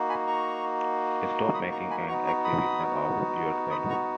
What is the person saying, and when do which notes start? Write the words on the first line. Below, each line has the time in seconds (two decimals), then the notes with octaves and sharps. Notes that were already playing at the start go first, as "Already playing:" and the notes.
Stop making an exhibition of yourself!
Already playing: A#3 D#4 F#4
0.09 G#5 B5
0.27 A#5 C#6
1.54 B5 D#6
1.72 A#5 C#6
1.90 G#5 B5
2.08 B3 D#4 F#4 A#5 C#6
2.27 A#5 C#6
2.44 B5 D#6
3.71 B5 D#6
3.89 A#5 C#6